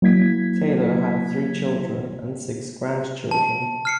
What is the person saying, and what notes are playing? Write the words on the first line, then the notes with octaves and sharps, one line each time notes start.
Taylor had three children and six grandchildren.
F#3 A#3 E4 G#6 B6
A5
F6 C7 C#7